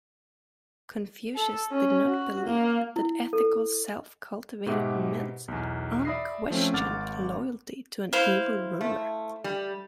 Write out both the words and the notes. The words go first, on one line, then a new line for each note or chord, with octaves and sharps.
Confucius did not believe that ethical self-cultivation meant unquestioned loyalty to an evil ruler.
A4
C#4
F#4
A#3
E4
A4
G#2 B2 G4 E5 F#5
B1 E2
D5 E5 B5 D#6 A#6 C7
F3 A3 C4 C#4
G#1 F#5 D6 F6 A6
E4 C5 F5
A3
G3